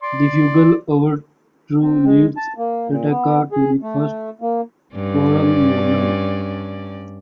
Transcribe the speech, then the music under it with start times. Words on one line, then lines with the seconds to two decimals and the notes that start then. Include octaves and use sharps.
The fugal overture leads attacca to the first choral movement.
0.03 D5 C6
1.82 C4
2.05 G#3
2.37 A5
2.58 A#3
2.88 A#2
3.09 B3
3.52 G#4
3.82 A3
4.41 A#3
4.95 G2 C#4 D5